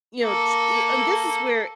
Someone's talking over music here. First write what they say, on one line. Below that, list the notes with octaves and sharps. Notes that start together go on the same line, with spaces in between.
you know, t and this is where,
A#3 A4